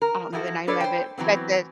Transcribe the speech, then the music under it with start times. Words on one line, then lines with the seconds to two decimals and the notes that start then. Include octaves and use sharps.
I don't know the name of it, but the
0.02 A#4
0.33 F3 E4 F#4 G4 A4
0.67 D4 A4 B4 C#5 D5
0.80 C5 G5
1.18 E3 F#3 B3 C4